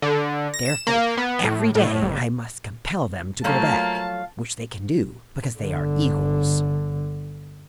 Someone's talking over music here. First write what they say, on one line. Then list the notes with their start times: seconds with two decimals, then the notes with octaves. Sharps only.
Therefore every day I must compel them to go back, which they can do, because they are eagles.
0.02 D3
0.54 A#6
0.65 E7
0.87 A#3
1.17 B3
1.44 A2
1.75 A2
2.02 G1
3.44 F3 F#3 A3 A#3 F5 A5
5.59 G1 D3